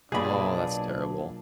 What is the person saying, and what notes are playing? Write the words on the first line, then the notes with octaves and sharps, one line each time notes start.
Oh, that's terrible.
B1 A#2 D4 G#4 D5 G#5 B5